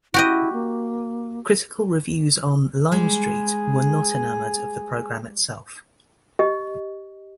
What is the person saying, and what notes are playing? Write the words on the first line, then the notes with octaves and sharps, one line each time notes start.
Critical reviews on "Lime Street" were not enamored of the program itself.
E4 F#4 G4 D#5
A#3
G3 G#3 G#4
G4 D#5